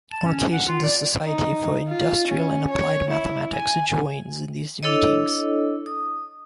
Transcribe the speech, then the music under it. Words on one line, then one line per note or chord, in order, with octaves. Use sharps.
On occasion the Society for Industrial and Applied Mathematics joins in these meetings.
A5
C#4
F#5
F4
D5
D#4
F4
C#4
C#5
E4
G#5
D4 E4 A4 C#5 D#5
D#6